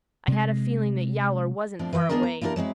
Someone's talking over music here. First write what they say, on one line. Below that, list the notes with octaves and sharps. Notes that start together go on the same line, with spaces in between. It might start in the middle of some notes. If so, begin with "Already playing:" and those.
I had a feeling that Yowler wasn't far away.
C3 G#3
A2 F3 C4 D4
E3 B4 F#5 G5
D#3 F#3 B3 D4 G#4 A#4
A#5
E3 A#3 D4 G4 A#4
F#3 G#3 C4 E4